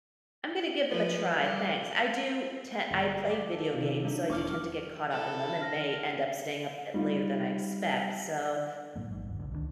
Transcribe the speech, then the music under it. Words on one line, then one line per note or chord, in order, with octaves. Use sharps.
I'm gonna give them a try, thanks. I do te I play video games, so I do tend to get caught up in them and may end up staying up a bit later than I expect. So,
F3 B4
G3
G1
D6 B6
A4
C3 D#3 F4
D4 D#4
E1 C#6 D6 F6
E4 A4
F6 A#6
G3 D#4 F4
A2 F#3 A#3
A1 G#2
G1 D#2
D#1 A#1 D3
C#2 D#3 E3 D4